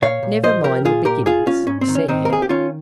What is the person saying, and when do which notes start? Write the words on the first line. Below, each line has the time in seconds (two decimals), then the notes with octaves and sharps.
"Never mind the beginnings," said he.
0.02 A#2 C#5 F5
0.23 A#2
0.43 F3 C5 D#5
0.64 C2 G4 A#4
0.85 A#2 F4 G#4
1.05 A#2 G4 A#4
1.26 C2 F4 G#4
1.46 C2 C#4 F4
1.67 G#2 C#4
1.81 C4
1.88 D#3
1.95 C#4
2.08 D#3 C4 D#4
2.25 A#4
2.30 A#3 G#4
2.42 G4
2.49 D#3 C#4 F4